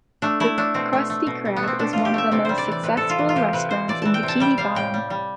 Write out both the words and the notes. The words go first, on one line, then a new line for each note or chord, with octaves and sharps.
The Krusty Krab is one of the most successful restaurants in Bikini Bottom.
A3 D4
A3 E4
A3 D4
B2 C4
A3
A3
B2
B2
B3
A3 C4
B2 D4
B2 F4
G4
A3 E5
C3 D5
G3 C5
D5
E3
D5
C3 B4
C3 A4
F4
E3
F4
C3 G4
C3 B4
C3 C5
E3 D5
E3 A5
G5
C3
A5
G3 G5
G3 F5
A2 G5
G3
G3